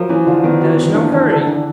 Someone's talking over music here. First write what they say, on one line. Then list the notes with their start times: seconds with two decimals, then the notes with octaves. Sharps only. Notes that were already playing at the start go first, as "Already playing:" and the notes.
There is no hurry.
Already playing: F3 F#3 A#4
0.09 E3 C#4
0.27 D3 F4
0.44 D#3 B3
0.61 F#4
0.78 B3
0.83 E3
0.90 D#3 D4
1.05 D#3
1.12 E3 D4
1.30 A4
1.35 D3
1.47 D4